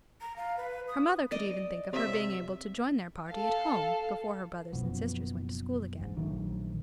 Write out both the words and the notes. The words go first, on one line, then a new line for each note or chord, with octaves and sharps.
Her mother could even think of her being able to join their party at home, before her brothers and sisters went to school again.
A#5
F5
B4
D#6
D5 D#5
C3 E5
A4 F5
F#1 B2 F3 B3
G#2
A#1 D#3 F#3 A3